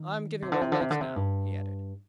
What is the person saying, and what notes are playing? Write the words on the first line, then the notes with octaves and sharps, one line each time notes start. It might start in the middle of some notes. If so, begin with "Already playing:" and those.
"I am giving away lakes now," he added.
Already playing: D#3
C3
D3
C3
D3
C3
D3
C3
G2